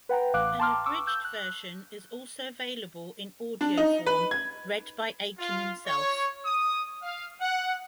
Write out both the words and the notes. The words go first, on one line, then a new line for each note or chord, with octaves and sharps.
An abridged version is also available in audio form read by Aiken himself.
B4 F#5 G5 A#5
A1 F5 D6 F#6
G5 A5 A#5 C6 D6 F6
C#6 D6 E6
E6 G6
F#6
D4
D#4
B4
G#6
F4
C#5
D#6
F5
F#5